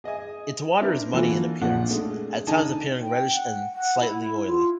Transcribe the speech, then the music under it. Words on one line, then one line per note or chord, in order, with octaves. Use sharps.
Its water is muddy in appearance, at times appearing reddish and 'slightly oily'.
G#4 D#5 E5 G#5
C4 D4 E4 A#4 B4
D3 E3 A#3 F4 F#4 A4
A#1 F3 C4 D4 F#5
G#3 A3 D4
D3 D#4 G#5 A5
G5
F#5
F#5
E4
F4